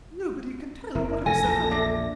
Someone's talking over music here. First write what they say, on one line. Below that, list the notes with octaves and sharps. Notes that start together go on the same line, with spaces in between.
Nobody can tell what I suffer!
F#1 E4 A#4
F1 F2 A4 G#5 A#6
A#1 E2
D4 E5